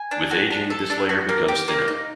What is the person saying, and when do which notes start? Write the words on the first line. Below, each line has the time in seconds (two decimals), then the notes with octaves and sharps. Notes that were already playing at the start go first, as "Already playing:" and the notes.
With ageing, this layer becomes thinner.
Already playing: G#5
0.11 D4
0.31 F#4
0.51 D4
0.70 A4
0.90 D4
1.09 F#4
1.29 A#3
1.48 G4
1.68 A#3
1.88 D#4